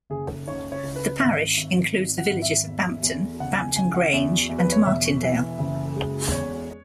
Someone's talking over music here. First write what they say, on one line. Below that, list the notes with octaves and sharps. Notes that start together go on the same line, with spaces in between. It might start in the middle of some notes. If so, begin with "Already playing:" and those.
The parish includes the villages of Bampton, Bampton Grange and Martindale.
F#1 G#4
C#2 C#5
C#5
C#2
B4
G#1 E5
G#1
G#1
F#5
G#1
E5
E2
E2
C#2 F#5
G#5
C#2 G#5
F#5
E2 E5
E2
B4
C#5
E1 E5
E3
F#1
G#3
E2 C#5